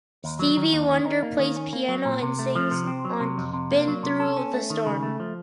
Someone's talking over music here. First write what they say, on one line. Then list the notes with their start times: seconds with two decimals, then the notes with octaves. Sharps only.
Stevie Wonder plays piano and sings on "Been Through the Storm".
0.24 D#2
0.39 F#3
0.57 D#3
0.72 D#2
0.89 D#3
1.06 D#4
1.23 A#3
1.39 D#3
1.56 C#4
1.73 A#3
1.88 F#3
2.05 A#2
2.22 C3
2.39 A3
2.56 F3
2.71 C3
2.87 C4
3.05 F#3
3.20 C3
3.38 F2
3.54 C3
3.71 A#3
3.88 F#3
4.03 C3
4.20 A4
4.37 C#4
4.53 A3
4.70 D#3
4.86 C#3
5.03 A3
5.20 F3